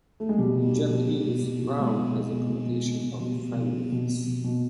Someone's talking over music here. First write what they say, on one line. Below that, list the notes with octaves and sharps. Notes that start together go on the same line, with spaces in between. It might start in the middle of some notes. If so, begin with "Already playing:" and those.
In Japanese, round has a connotation of friendliness.
A3
G#3
B2 G3
B2
B2
B2
B2
B2
B2
B2
B2 G#3
B2
B2
B2
B2
B2
B2
B2
B2 G3
B2
B2
B2
B2
B2
B2
B2